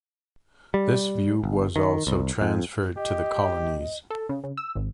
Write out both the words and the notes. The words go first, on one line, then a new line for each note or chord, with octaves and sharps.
This view was also transferred to the colonies.
G3
G1
D#3
C2
F2
G4 D#5
A4
C#3
C#3
E6
G#1